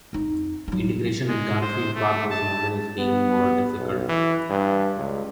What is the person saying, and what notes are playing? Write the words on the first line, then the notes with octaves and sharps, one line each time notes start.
Integration at Garfield Park was noted as being more difficult.
F2 D#4
F#3 D#4
G#3
C5
A3
A5
B3
B1
E3
G2
C#2